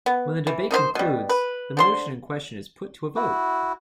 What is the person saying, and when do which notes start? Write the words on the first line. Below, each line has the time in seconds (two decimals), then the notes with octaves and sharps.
When the debate concludes, the motion in question is put to a vote.
0.06 B3
0.47 E3
0.71 D#3 D#4 F4 C5
0.95 B2 G3
1.29 B4
1.77 D3 C5 C6
3.16 E4 F#4